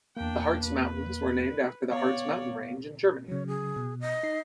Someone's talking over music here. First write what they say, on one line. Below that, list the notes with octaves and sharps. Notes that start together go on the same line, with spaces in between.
The Hartz Mountains were named after the Harz mountain range in Germany.
E2 A#3 D4 G5
B4
B3 C#5 D5 F5
C#3 F#3 C#5
G#4
B2
D#5
D#4 C7